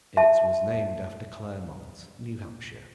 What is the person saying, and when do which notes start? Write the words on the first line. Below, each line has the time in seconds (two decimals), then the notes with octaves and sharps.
It was named after Claremont, New Hampshire.
0.17 E5 A5